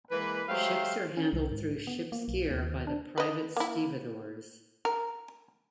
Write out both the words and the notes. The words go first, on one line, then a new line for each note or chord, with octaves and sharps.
Ships are handled through ship's gear by the private stevedores.
E3 G#3 A#3 B4
F#3 G#3 A3 G4 C5 F5
C#4
C2
G#2
B3
A#3
B1
D#2
D4
B4 D#5
A#3 E4
A#4